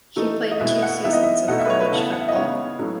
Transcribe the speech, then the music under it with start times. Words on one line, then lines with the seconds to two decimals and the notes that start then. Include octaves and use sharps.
He played two seasons of college football.
0.16 E3 A3 D#4
0.51 D#5
0.60 B2 G#3 B3 E4 E5
0.82 F#5
1.03 E3 B3 D#4 E5
1.13 D#5
1.23 E5
1.48 B2 A3 D#4 F#5
1.59 E5
1.65 B4
1.70 C#5
1.80 B4
1.91 C#3 E3 B3 A4
2.12 F#5
2.21 E5
2.28 D#5
2.35 C#3 G#3 B3 D#4 C#5
2.79 A2 F#3 A3 C#4 E4